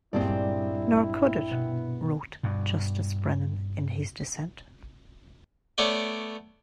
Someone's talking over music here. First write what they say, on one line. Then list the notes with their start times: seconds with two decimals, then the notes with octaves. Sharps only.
Nor could it, wrote Justice Brennan in his dissent.
0.13 G2 A#2 G3 G#3 C4 E4 G4 D5
1.51 B2 B3
2.43 G2 B2
5.78 A3 B3 C#5 D5 G5